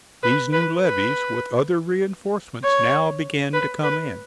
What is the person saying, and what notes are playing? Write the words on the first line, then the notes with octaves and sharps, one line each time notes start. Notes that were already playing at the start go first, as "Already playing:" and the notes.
These new levies with other reinforcements now began to come in.
B4
B4
B4
C#5
B4
B4